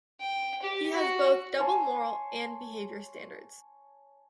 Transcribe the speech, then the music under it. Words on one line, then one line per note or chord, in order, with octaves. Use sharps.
He has both double moral and behaviour standards.
G5
G4
F#4
C#5 G#5 A5 C6